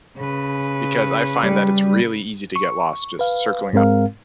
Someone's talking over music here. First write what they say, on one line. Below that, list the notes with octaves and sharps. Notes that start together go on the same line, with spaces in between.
because I find that it's really easy to get lost just circling up
C#3 B4
G3
C#6
B4 F5
G#2 G#3 C4 A#4 F5